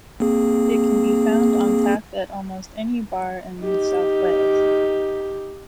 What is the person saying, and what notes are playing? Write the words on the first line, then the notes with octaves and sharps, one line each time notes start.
It can be found on tap at almost any bar in New South Wales.
A#3 C4 G#4
D#4 G4